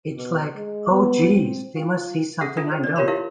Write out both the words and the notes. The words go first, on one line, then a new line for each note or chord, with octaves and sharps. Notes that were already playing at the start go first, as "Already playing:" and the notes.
It's like 'oh geez they must see something I don't'.
B2
G#3
B3
C4
F4
G#4 A4 E5 F#5
D4 F4 A4 E5
C5
D5
F4 G4 A#4 C#5 B5 C6
E4 G4 A#4 E5 F5